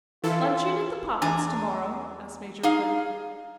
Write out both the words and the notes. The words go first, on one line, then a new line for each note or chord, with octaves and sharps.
"Lunching at the Poppit's to-morrow?" asked Major Flint.
E3 E4 F4 A4
E2 D4 G#5 A#5
D#4 G#4 F5